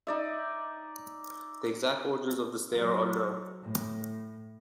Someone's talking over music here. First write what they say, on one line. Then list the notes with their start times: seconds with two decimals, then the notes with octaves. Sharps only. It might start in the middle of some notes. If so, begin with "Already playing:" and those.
The exact origins of this day are unknown.
0.07 D#4 D5 E5
2.72 F#3
3.63 A2